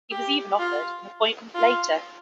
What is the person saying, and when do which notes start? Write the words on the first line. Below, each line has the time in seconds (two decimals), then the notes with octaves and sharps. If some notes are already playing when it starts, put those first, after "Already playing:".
He was even offered an appointment later.
0.12 G4
0.59 F4
1.55 F4